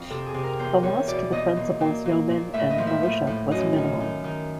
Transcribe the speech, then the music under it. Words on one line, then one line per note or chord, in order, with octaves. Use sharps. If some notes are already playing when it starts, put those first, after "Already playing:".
The loss to the fencibles yeomen and militia was minimal.
Already playing: F2
C3 A4
G#4
C3
A#4
E2 C5
E2 C#5
B2 D5
E2 D#5
A#2
A#2
A#2
A#2
A2 E5
D#5
F3
E5
A2
A2
F#2 D#5
D#3
D#3
D#3